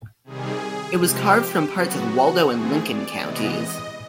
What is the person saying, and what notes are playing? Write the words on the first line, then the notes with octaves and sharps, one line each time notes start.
It was carved from parts of Waldo and Lincoln counties.
C3 D#3 G3 G#4
C3 F3 G#3 C4 G4
C#3 F#3 B3 F#4
F#4
E3 A3 C4 G#4
D5
C3 E3 G#3 B3 D#5